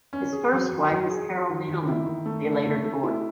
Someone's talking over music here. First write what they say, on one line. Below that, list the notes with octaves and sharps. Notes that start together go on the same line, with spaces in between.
His first wife was Carol Needelman; they later divorced.
C#4
G#4
F#3
F#3
F#3
G#4
F#3
D#3
D#3
E4
D#3
A3
A3
A3
A3
E4